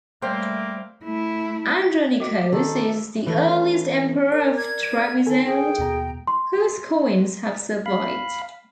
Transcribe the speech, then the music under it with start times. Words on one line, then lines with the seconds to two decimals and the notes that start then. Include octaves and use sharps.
Andronikos is the earliest Emperor of Trebizond whose coins have survived.
0.22 G3 A3 A#3 C4 C5 E5 G5
1.05 A3 E4
1.82 G#6
2.20 F#4 D#5 D6
2.52 D#3 A4
3.26 E3 A3 C#4
4.32 A#4 D5
4.57 G#6
5.26 D#3 A4 A#4 G#5
5.46 G#4 G5
5.79 D#2 B2 A#5
6.27 C6
7.86 F5 B5